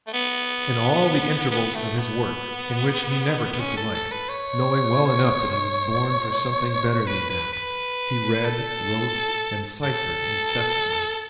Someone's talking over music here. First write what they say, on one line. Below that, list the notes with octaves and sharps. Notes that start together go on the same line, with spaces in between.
In all the intervals of his work--in which he never took delight, knowing well enough that he was born for something better than that--he read, wrote, and ciphered incessantly.
A3
B3
B3
A3
B3
B3
C#4
A4
A4
B4
C#5
B4
B4
B4
A4
A4